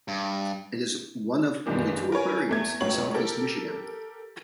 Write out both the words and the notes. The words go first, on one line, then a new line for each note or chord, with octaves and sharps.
It is one of only two aquariums in Southeast Michigan.
G2
F#1 G2 D#3 E3
A#4 B4 C#5 G#5
E2 A3 G#6
C#2 F#2 A2 C#5 F#7
G4 A4 A#4